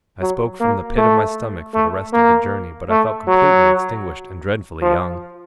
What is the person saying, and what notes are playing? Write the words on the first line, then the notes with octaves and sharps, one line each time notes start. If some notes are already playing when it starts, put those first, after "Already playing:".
I spoke from the pit of my stomach for the rest of the journey, but I felt completely extinguished, and dreadfully young.
F#3
A#3
A3
A3
A#3
A3
F#3
F3